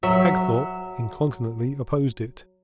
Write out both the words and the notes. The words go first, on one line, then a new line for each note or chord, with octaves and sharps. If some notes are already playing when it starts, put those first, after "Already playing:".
Hagthorpe incontinently opposed it.
F#3 E5